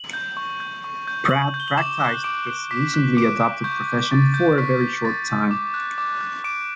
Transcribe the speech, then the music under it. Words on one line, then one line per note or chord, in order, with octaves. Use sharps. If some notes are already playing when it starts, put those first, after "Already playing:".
Prat practised his recently adopted profession for a very short time.
Already playing: F#7
G6
C#6
G6
C#6
G6
C#6 F#7
G6
G7
F#7
D6 E7
F#6
D6 D7
F#6
D6 B6
F#6
D6 D7
F#6
C#6 G6
G6
C#6 A6
G6
C#6 B6
G6
C#6 A6
G6
D6
F#6
D6
F#6
D6 D7